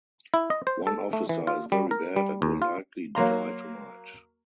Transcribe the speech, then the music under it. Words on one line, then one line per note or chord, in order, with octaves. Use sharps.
One officer is very bad and will likely die tonight.
E4
D#5
C5
A4
A3
E3
F4
G3
A#4
G3
D#2
F4
F#3 A#3 A#5 C6